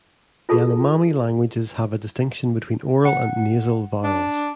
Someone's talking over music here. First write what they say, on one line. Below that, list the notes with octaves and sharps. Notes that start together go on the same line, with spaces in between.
Yanomami languages have a distinction between oral and nasal vowels.
F4 G#4 A4 A5
F#5
D4